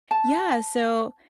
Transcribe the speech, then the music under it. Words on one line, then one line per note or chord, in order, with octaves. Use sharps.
Yeah, so
A5